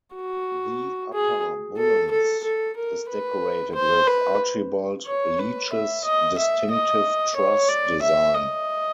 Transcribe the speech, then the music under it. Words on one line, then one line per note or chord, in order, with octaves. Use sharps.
The Upper Bullens is decorated with Archibald Leitch's distinctive truss design.
F#4
G#4
A4
A4
A4
A#4
B4
C5
B4
C#5
B4
E5
D#5
E5
D#5
C#5
D5
E5
D#5